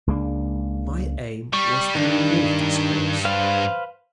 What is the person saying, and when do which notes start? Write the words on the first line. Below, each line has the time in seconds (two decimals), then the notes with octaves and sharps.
My aim was to remove this cause.
0.07 C#2 G#3 A#3 D4
1.53 G3 C#6
1.95 G2 D#3 D4
3.25 B4 C5 F5